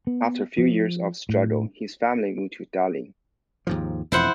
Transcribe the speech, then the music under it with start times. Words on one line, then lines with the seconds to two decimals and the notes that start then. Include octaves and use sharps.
After a few years of struggle, his family moved to Delhi.
0.07 B3
0.58 F3
1.29 A2
3.67 D#2 G#2 F3
4.12 E1 F2 E4 C5 F#5